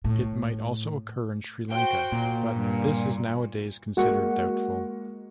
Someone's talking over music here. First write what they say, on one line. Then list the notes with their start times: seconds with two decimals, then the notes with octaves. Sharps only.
It might also occur in Sri Lanka, but this is nowadays considered doubtful.
0.05 A2
1.71 F#4 C5 G5
2.12 A#2
2.54 G2
3.97 G#3 A#3 F#4 F#5 C#6